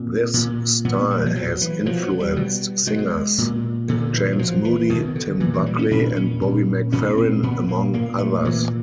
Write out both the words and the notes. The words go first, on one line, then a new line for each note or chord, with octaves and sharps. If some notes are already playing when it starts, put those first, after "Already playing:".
This style has influenced singers James Moody, Tim Buckley and Bobby McFerrin, among others.
Already playing: A#2 C4
A#2
A#2 B3
G3
F3
B2 F#3
E3
B2 F3
F#3
G3
B2
B2 G#3
A#2
A#2 D3
E3
F#3
B2 F3
E3
B2 D#3
D3
A#2 E3
E3
G3
C#4
A#2 D4
C#4
A#2
A#2 C#4
C4
A#2 B3
A#3
A#2 A#3
A3
A#2 E3